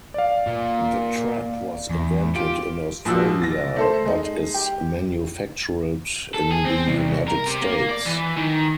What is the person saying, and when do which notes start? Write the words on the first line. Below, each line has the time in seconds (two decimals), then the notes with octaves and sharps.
The trap was invented in Australia, but is manufactured in the United States.
0.14 D5 F5
0.47 A#2
1.90 E2
2.36 F4 G4 D7
3.05 A#1 F3 F#4 E6
3.42 A6 A#6
3.76 A3 A4 C5
4.05 G#3 D#4
4.54 G4
6.34 A4
6.51 G#4
6.65 C4
6.87 C2
7.28 A#4
7.47 C3
7.63 A#3
7.89 D5
8.05 E3
8.37 D#3